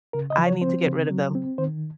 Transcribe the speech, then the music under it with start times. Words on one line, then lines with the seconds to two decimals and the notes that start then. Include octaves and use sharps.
I need to get rid of them.
0.13 C#3 A#4
0.30 D#5
0.38 F3
0.46 C#5
0.62 C4 C5
0.86 C#3
1.10 F#3
1.35 C4
1.58 D#3 C5